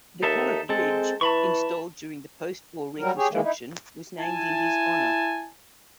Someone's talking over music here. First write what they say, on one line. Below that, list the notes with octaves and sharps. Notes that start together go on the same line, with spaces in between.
The current bridge, installed during the post-war reconstruction, was named in his honor.
D#2 D#4 A4 E5
G#3 C4 A4
E3 A5 B5 C#6
F#3 G3 A#4
G4 G#4 C#5
D#3 E3 G#3 A#3
D#4 E4
E4 G#5 A5